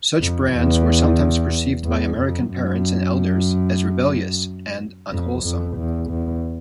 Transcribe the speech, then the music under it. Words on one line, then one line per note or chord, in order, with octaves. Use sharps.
Such bands were sometimes perceived by American parents and elders as rebellious and unwholesome.
F2
E2
E2
F2
F#2
F2
F2
E2
E2